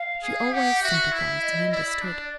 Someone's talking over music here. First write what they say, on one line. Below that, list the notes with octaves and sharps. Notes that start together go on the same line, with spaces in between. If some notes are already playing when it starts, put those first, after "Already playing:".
She always sympathized and understood.
Already playing: F5
G#4
G4 F#5
F#4 E5
E4
D#5
D5
D#5
E4 D5
D4